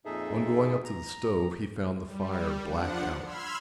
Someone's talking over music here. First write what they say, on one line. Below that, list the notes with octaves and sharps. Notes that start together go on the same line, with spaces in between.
On going up to the stove he found the fire black out.
F2 A#2 D#4 G#4 A4 E5
A#5
G3
F3 D4 F#5
B5 C6 E6 F6 G#6